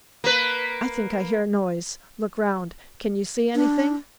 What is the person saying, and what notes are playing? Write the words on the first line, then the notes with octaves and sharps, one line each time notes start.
'I think I hear a noise; look round! can you see anything?'
A#3 B4
D4